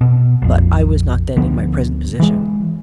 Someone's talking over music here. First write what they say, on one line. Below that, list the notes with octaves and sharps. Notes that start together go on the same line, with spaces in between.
But I was not then in my present position.
B2
A#1 F2
D2 D3 F3 B3
E3 G#3